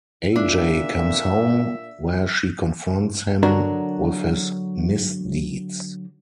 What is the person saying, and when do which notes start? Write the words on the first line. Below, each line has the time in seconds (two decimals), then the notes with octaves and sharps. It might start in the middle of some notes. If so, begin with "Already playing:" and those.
Ajay comes home, where she confronts him with his misdeeds.
0.36 A#2 D4 E5
3.43 D3 F#3 D4 F#4 A#4